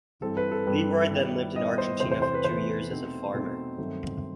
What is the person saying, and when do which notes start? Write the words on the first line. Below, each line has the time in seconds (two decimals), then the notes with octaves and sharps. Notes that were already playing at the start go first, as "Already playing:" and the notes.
Learoyd then lived in Argentina for two years as a farmer.
0.22 G2 E3 G3 C4 A4
0.37 B4
0.52 A4
0.66 G2 E3 G3 C4 B4
1.11 D#3 G3 B3 E4
1.55 D#3 G3 B3 E4 D#5
1.78 C5
2.00 E2 C3 E3 A3 C5
2.11 C5
2.22 C5
2.34 B4
2.44 E2 C3 E3 A3 C5
2.90 B2 A3 C4 D#4
3.34 B2 A3 C4 D#4
3.78 G2 D#3 F#3 A3 C4